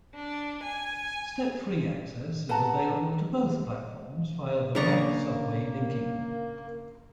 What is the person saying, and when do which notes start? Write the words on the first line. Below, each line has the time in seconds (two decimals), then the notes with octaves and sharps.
Step-free access is available to both platforms via the ramped subway linking them.
0.15 D4
0.63 G#5
2.49 B4 F#5 A5 A#5
4.75 C#3 A#3 D4 D5 D#5 A#5 C#6